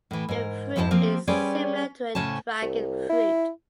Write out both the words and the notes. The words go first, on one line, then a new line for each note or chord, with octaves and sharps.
The fruit is similar to a dragon fruit.
A2 E3
G#2 A#4
F2 G#2 E4 G#4 C5 A5
F3 A#3 C4 G4 A#4
G3 C#4 G#4 B4 C5 D5
A2 C#3 C#4 C5 A5
C2
E4